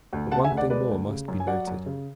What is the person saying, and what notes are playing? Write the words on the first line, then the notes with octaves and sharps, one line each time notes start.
But one thing more must be noted.
D2
C#3 F#5 A5
E5 G#5
D2
D5 F#5
G#3 B4 D5
D2
C#3
F#2
G#5
F#3 D5 F#5
F#2
C#3